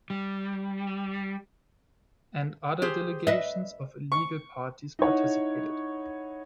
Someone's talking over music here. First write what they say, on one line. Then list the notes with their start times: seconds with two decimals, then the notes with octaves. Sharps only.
And other delegations of illegal parties participated.
0.10 G3
2.82 G4 G#4 C5
3.27 B4 D#5 E5
4.12 C#6
4.99 D#4 E4 C#5 F#5